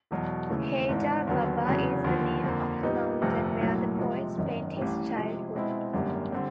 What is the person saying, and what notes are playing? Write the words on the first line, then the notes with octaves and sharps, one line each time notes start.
Heydar Baba is the name of a mountain where the poet spent his childhood.
E1 E2 B2 F#3
D#2 C#3 E3 A3
G#1 G#2 E3
D#2 D3 F#3 B3
F1 E2 C#3 F#3
D#2 D3 F3
F2 D3 F3 A#3
A#2 G3 B3 D#4
G1 F2 C3 F3 A3
B1 A2 F#3 A#3
C3 F3 G#3
G#1 F#2 D#3
A1 A2 E3 G3
C3 F3 G#3
B2 G#3 C4 E4
G#1 F#2 D3 G3 A#3
D3 G3 C4